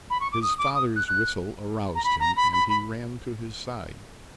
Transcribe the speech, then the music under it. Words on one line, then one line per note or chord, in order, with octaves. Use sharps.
His father's whistle aroused him, and he ran to his side.
B5
C#6
D6
D#6
D6
D#6
F#6
F#6
A#5
B5
A#5
B5
B5
B5